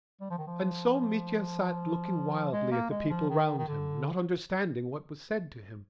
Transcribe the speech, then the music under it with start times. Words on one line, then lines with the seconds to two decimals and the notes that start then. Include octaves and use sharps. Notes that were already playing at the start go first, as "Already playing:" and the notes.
And so Mitya sat looking wildly at the people round him, not understanding what was said to him.
0.21 G3
0.30 F3
0.38 D#3
0.47 F3
2.52 G#3
2.72 A#3
2.91 G#3
3.10 F3
3.29 D#3
3.58 D#3
3.68 D3